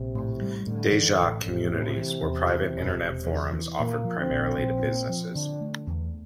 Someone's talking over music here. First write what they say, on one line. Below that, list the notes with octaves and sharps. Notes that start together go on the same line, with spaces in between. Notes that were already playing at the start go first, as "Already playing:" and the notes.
Deja Communities were private Internet forums offered primarily to businesses.
Already playing: A#1 C3
A2
G3
A2 D3
E3
A1
A1 C3
A2
E3
E2
E3
E1
E1
E2
E3
A#2 A#3
F3
C4
A#1
A#1
A#2
F3
D3 D4
A3
E2